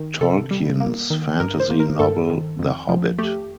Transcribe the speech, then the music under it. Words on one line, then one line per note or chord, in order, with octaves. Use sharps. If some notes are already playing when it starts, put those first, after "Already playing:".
Tolkien's fantasy novel "The Hobbit".
Already playing: D#3
C3 A4
G3
A#3
D#3
G2 A#4
C5
A#3
A#4
G2 A4
D#3
F2
F3
A3 G4